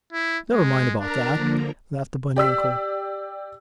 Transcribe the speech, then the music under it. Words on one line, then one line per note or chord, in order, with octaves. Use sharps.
"Never mind about that," laughed the bunny uncle.
E4
G#3
D4 A#4 A#5
D3 F3 A#3
G4 D5 E6 B6